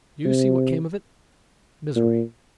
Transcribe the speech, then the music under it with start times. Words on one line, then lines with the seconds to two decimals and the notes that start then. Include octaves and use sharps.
"You see what came of it--misery."
0.25 C3
1.96 A#2